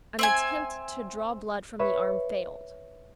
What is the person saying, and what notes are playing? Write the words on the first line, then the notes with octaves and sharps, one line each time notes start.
An attempt to draw blood from the arm failed.
C4 E5 G#5
B4 C#5 E5